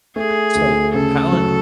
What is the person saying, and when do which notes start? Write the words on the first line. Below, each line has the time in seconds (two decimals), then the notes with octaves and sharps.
So, Palant
0.16 A3 G#4
0.55 D2
0.94 C#3 A4
1.32 F#3